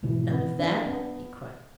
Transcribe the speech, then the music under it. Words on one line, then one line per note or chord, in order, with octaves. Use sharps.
"None of that," he cried.
G#2 B2 E3
B3
D4
B3